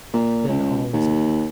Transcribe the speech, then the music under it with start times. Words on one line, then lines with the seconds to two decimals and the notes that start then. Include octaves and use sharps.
Then all is over.
0.14 A#2
0.49 C#2
0.93 D#2